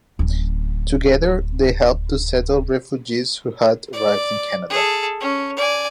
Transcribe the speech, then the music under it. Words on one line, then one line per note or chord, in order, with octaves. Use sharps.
Together they helped to settle refugees who had arrived in Canada.
D1 C#4
D5
G#4 A4
C#4
D5 G#5